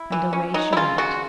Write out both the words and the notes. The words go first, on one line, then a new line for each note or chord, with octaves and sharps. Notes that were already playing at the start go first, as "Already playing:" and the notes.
And away she went.
Already playing: E4
E3
C#4
F#3 D#4
E4
C#3 F4
C#3 F#4